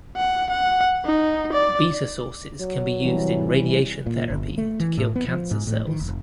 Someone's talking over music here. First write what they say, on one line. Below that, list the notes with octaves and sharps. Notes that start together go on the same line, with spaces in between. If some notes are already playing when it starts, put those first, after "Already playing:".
Beta sources can be used in radiation therapy to kill cancer cells.
F#5
F#5
D#4
D5
F#3
C3 E3 G3
A#2
G1
A3
E3
A2
B3
F3
G#2
A2
D#3
F1